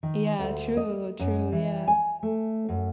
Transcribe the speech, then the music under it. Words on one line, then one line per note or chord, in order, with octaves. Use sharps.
Yeah, true, true, yeah.
D#3
D2
D#5
F#2
E3
G#5
A3
F#2